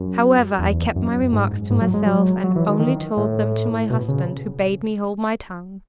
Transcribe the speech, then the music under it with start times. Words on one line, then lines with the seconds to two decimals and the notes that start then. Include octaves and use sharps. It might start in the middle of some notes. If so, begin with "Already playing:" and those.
However, I kept my remarks to myself, and only told them to my husband, who bade me hold my tongue.
Already playing: F#2
0.59 E2
0.96 F#2
1.33 G#2
1.70 G#2
1.81 F#3
1.94 G#3
2.06 F#3
2.44 F#3
2.56 E3
2.68 D#3
2.79 D#3
3.17 A2
3.90 B2
4.08 C#3